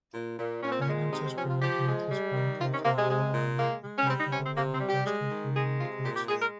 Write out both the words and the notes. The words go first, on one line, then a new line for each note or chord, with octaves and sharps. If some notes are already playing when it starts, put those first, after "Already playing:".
Finances permitting at his franchise in Bulawayo, the Matabeleland Tuskers, he remained coach there.
A#2
A#2
A#2 C#4
C4
C#4
G#3
C3 D#4
C5
F3 C#4
F4
F3 G4
G#3
G3
D#3
C3 F4
C#4
C3 A#3
G#3
G#3
A#2
G#3 A#3
G#3
C#4
G3 C4
D#4
C3 C#4
C4
C3 A#3
C4
G3
G4
G#3
D#3
G#3 G#4
C3 F4
A#2 G4
G4
G#3 G#4
A#4